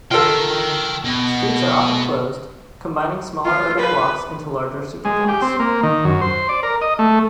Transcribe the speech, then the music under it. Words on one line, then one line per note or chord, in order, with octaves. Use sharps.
Streets are often closed, combining smaller urban blocks into larger superblocks.
F4 A4 A#4 G5
B2
F4
B4
G#3
G4
C4
A#3
D#3
F#2
C5
D5
A#4
D#5
A3